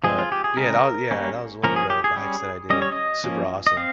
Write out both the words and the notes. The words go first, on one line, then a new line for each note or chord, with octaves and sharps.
But yeah, that wa yeah that was one of the, the hikes that I did, super awesome.
F3 G#3 C4 G#4
F4
G4
G#4
C#3 G#3 C4 A#4
G3 A#3 C#4
F3 A#3 C#4 A#4
G#4
G4
G#4
G3 C#4
G3 C#4 D#5
C#5
D#5
F3 A#3 C#4
D#5
C4 F5